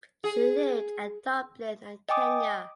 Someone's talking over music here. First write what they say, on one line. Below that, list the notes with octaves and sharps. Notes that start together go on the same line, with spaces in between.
She lived at Dublin and Kenya.
G#4
D#5 G5 G#5 D6 D#6